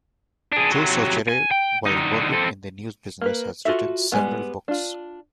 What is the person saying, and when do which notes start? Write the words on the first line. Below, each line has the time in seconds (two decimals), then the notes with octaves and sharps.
Joe Soucheray, while working in the news business, has written several books.
0.52 D4 G#4
0.72 C3 F#3
1.28 G#5
1.51 G5
1.86 D3 D#4
2.33 C4 A4
3.21 A#3 A#4 B4
3.65 F4 F#4 A4 E5
4.12 G3 G#3 B3
4.68 D4 F4